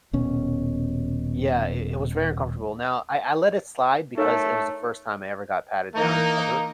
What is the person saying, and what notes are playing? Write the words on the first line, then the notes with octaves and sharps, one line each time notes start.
Yeah, it it was very uncomfortable, now, I I let it slide because it was the first time I ever got patted down, ever.
D#1 B2 C#4
A3 D#4 A4 A#4 C#5 E5
E3 A#3 D#4 A#4